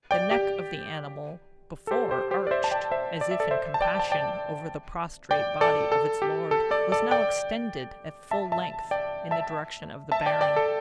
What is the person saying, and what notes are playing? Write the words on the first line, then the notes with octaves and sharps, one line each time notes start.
The neck of the animal, before arched, as if in compassion, over the prostrate body of its lord, was now extended, at full length, in the direction of the Baron.
D5 G5
G4
A4
G4 C5
G4 C5
G4 C5
D5
C5 E5
A5
D5 G5
C5 E5
D5
E5
A4 D5
C5 E5
A5
D5 G5
A5
D5 G5
D5 G5
A4 D5
A4
G4
A4
A4 D5
A4 D5
D5 G5
E5 A5
E5 A5
D5 G5
E5 A5
E5 A5
D5 G5
D5 G5
A4